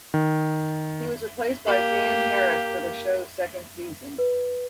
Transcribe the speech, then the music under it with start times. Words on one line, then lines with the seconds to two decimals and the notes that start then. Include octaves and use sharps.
He was replaced by Dan Harris for the show's second season.
0.14 D#3
1.66 A#3 G4
4.18 B4